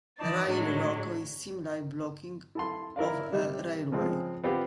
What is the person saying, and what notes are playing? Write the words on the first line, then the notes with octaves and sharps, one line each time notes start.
Rail roko is similar blocking of a railway.
E3 D#4 D5 A5
A2 F#3 G#3 D4
E4 A4 C6
E4 A#4 D5 F5
C3 G3
C#3 F3 G#3 C4
B3 C4 F4 G4 C5